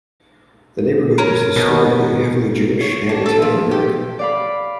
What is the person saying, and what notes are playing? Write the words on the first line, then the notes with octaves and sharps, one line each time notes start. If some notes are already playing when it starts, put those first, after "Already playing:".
The neighborhood was historically heavily Jewish and Italian-American.
C#4 A#4
B2
C#5
D4
A4
F3
G4
D5 F5 B5